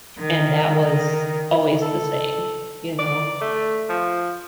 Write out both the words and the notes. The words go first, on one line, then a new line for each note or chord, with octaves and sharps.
and that was always the same, you know?
D#3
D#3
A4
D5
A3
F3